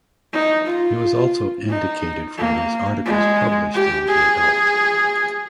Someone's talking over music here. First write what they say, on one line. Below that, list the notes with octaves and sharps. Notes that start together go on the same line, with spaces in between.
He was also indicated for his articles published in "The Adult".
D#4
F4
D#4
A#3
G#3
G4
G#4